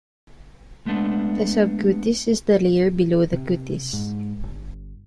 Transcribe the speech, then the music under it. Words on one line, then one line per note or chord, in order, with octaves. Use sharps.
The subcutis is the layer below the cutis.
G#3 A3 B3 D4
C3
G#2
G1